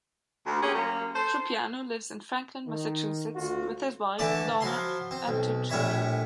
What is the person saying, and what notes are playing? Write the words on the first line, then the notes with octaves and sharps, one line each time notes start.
Trupiano lives in Franklin, Massachusetts, with his wife, Donna, and two children.
D2
A#3 C#4 G4 G#4
F#2 A#3
A4 C5
D#3
D2 F4 F#4
D3 E3 A3 D5 A5 D6
F3 F#3 B5 C6
C4
B1
A#1 A2 G3 C#5 E5 B5